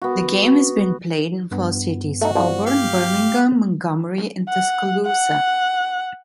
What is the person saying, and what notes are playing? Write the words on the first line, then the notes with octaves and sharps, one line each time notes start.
The game has been played in four cities: Auburn, Birmingham, Montgomery, and Tuscaloosa.
B3 F#4
G2 B3
A3 D#4 F#4
C2 F3
G4 F5
F#5
F#5